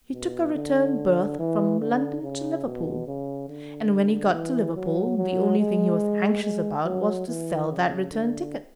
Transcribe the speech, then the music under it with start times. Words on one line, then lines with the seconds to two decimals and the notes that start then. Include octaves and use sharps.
He took a return berth from London to Liverpool; and when he got to Liverpool, the only thing he was anxious about was to sell that return ticket.
0.14 B2
0.55 D3
1.39 E3
1.81 D3
2.23 C#3
2.65 B2
3.07 C#3
3.49 D3
4.33 E3
4.76 F#3
5.17 F#3
5.59 G#3
6.43 G#3
6.86 F#3
7.28 E3
7.69 C#3
8.12 D3